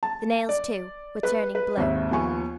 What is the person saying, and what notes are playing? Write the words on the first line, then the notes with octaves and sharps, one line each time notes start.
The nails, too, were turning blue.
A5
D5
B4 F#6
B4
G#1 D#2 E5
D#2 F3 B3 G#5 C#6